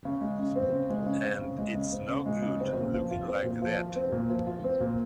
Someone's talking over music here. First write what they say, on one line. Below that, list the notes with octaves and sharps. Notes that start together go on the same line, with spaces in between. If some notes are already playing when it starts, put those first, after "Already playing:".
And it's no good looking like that.
C#3
G#3
C#3
C4
C#3
G#3
C#3
C4
C#3
G#3
C#3
C4
C#3
G#3
C#3
C4
A#2
F3
F4
C4
A#2
F3
F4
C4
A#2
F3
F4
C4
A#2